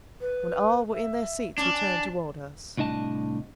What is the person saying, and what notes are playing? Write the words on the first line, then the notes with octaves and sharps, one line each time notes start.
When all were in their seats he turned toward us.
B4
E5
C#4 D4
G#5
C2 A2 D4 D#5 A5